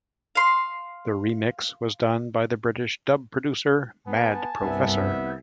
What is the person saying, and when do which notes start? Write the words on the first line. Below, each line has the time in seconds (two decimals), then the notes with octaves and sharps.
The remix was done by the British dub producer Mad Professor.
0.35 F5 C6
4.07 B3 G#5 A5
4.63 C2 G2 B3 E5